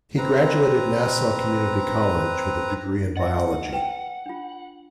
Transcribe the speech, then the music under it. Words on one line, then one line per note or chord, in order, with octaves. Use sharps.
He graduated Nassau Community College with a degree in Biology.
C4 B4 A#5
D#5 E5 F#5
B4 G5 A5
D4 F4